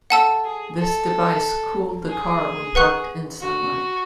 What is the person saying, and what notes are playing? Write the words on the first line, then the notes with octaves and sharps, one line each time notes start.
This device cooled the car when parked in sunlight.
A4 F#5 A5 E6
G#4
A4
G#4
B4 F#5 C#6 F#6
F#4